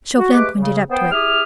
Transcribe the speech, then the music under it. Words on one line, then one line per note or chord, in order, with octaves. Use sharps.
Chauvelin pointed up to it.
F#4
G#3 A3 G4 B4 D6
C#3
B3 C5 G5
E4 G4 G#4 D#6 F6